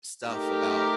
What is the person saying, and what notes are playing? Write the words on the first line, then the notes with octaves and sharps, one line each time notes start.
stuff about
A3 D#4 G4 A#4